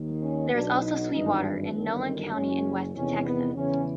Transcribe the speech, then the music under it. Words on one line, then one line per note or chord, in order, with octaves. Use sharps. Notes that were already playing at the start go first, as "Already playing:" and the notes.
There is also Sweetwater in Nolan County in West Texas.
Already playing: D#2 D#3
C#4
B1 B2 D4
D#4
G#1 G2 E3 D#4
G1 F#2 D#3
F#1 F#2 C#3 C#4
E2 C3 D#3 C#4
B3
E2 C#3 E3 C#4